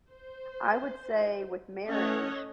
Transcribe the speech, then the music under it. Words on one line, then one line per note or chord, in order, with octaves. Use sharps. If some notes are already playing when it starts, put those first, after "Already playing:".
I would say with marriage,
C5
A3 C#4 A4 C#5 D#5 F#5